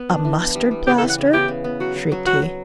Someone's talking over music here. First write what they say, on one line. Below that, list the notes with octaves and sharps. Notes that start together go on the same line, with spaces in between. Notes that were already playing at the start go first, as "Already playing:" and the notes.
"A mustard-plaster?" shrieked he.
Already playing: B3
D4
E3
B3
G3
G3
C#3 G4
A4
E3
F#5
C#3
B3 G4
C#3
B3
F#3 F#4
F#3
F#3
F#3 F#4
F#3